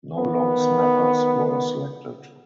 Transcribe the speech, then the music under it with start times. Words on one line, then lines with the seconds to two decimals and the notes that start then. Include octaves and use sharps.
No long snappers were selected.
0.16 D#3 B3